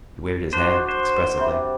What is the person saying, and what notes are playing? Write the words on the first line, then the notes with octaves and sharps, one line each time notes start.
He waved his hand expressively.
D4 F#4 C5
C5
C3 G3